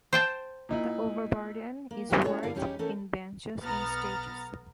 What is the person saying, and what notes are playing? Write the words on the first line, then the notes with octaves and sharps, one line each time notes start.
The overburden is worked in benches in stages.
C5 G5 A5
A#2 D#4 E4
A#3
G2 B3 E4 G4 B4 G5
G#3 A3 C#4 F#4 C#5
G2 D3 E4 A#4 D5 F5
E2 G3 C#4 D#4 G4
E3 A3 C#4 D#4 A4 A#4
B1 B3 A#5 F6 A6